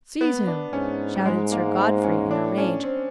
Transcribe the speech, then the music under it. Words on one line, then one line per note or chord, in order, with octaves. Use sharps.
"Seize him!" shouted Sir Godfrey in a rage.
B3
D4
G#2 C#4
G3
G#2 G#3
A#3
C4
C#4
A2 D4
C#4
C4